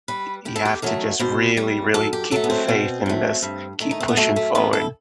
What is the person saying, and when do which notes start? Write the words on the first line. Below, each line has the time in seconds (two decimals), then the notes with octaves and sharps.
you have to just really, really keep the faith in this, keep pushing forward,
0.08 G3 B4
0.45 E2 G4
0.56 A4
0.65 G4
0.82 D#3 F#3 A3 A4
1.19 B2 C5
1.57 G3
1.94 F#2 A4
2.13 G4
2.31 F#3 A3 A4
2.44 B3
2.50 C4
2.68 B2
3.06 F#3 A3
3.42 G2
3.80 D#3 A3
3.91 D#4
4.00 C4
4.08 B3
4.17 F#2 A3
4.36 A3
4.55 E3 G3 B3
4.73 A4